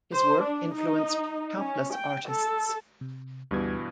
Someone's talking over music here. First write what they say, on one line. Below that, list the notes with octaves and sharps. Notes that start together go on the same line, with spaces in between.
His work influenced countless artists.
C5
D4
D#4
C#4
G5
A4
C3
D2 G2 B2 E3 G3 G#6